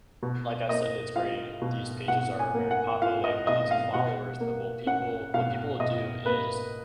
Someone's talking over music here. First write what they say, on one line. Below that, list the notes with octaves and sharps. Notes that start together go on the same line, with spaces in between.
like I said, it's very these pages are very popular, they have millions of followers, but what will people what people will do is
B2
A#3 D#5
F4 F5
B2
B2 F#5
G#5
A#3
F#5
F4 F5
D#5
B2 D#5
F5
B2 F#5
A#3
C#4 F#5
B2 F5
B2 D#5
A#3 B4